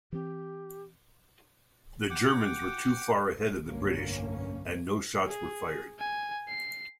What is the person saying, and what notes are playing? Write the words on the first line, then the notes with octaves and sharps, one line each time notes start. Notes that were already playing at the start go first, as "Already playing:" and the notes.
The Germans were too far ahead of the British, and no shots were fired.
E3 C4 G4
F#5 G5 D6
F1 B1 G2 D3 A#3 C#4
G#4
G#5
C7